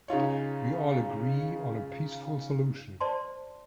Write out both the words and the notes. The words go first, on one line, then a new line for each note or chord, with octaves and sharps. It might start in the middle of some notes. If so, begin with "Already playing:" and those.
We all agree on a peaceful solution.
C#3 D#4 F4 C#5
C5 D5 A5 C6